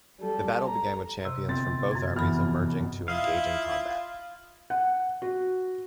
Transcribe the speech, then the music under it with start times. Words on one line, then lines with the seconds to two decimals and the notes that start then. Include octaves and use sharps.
The battle began with champions from both armies emerging to engage in combat.
0.20 G3 A4
0.67 A#5
1.25 C3 C5
1.48 G1 C4 A6
1.91 F#2 G#6
2.16 F1 E2 G2 E3 B5 F6
3.08 E4 F4 D#5 F5
4.70 F#5
5.22 F#4